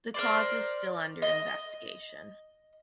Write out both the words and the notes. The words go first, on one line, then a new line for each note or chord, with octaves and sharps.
The cause is still under investigation.
A#4 C5 D5
D#5